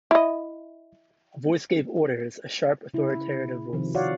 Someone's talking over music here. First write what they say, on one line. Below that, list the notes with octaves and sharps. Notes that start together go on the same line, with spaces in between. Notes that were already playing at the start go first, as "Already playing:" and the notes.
A voice gave orders, a sharp authoritative voice.
E4 D#5
C#3 E4
C3 D#3 F3
F#4 C#5 D5 F5 F#5